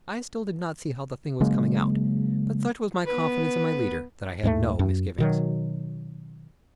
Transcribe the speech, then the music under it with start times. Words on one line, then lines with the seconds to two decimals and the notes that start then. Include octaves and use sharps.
I still did not see how the thing was coming out, but such was my confidence in my leader that I had no misgivings.
1.41 C#3 F#3 G#3 A#3
3.06 B3 B4
4.43 D#2 G#2 G3 A3
4.79 F#2
5.18 B2 D#3 F#3